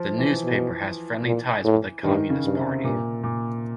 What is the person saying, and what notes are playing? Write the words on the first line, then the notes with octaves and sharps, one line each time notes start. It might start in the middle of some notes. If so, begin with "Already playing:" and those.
The newspaper has friendly ties with the Communist Party.
Already playing: F3
E3
B2
A#2
A2
G2 D#3
C#3
G2
C3
G2 A#2
A#2